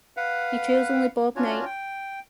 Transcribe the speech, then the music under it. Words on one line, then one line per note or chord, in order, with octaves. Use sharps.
He trails only Bob Knight.
B4 F5 F#5
C#4 D4 F4 F#4 C#5
G5